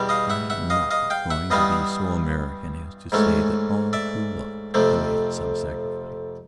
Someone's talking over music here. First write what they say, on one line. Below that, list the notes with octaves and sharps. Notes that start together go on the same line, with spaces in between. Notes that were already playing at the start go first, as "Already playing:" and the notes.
I am not going to be so American as to say that all true love demands some sacrifice.
Already playing: E2 B2 G3
D#5 F5
E5 F#5
E5 F#5
D#5 F5
D#5 F5
F5 G5
E5 F#5
G2 E3 G3 B3 D#5 F5
G#2 E3 A3 C#4
D5 E5
F2 C3 F3 A3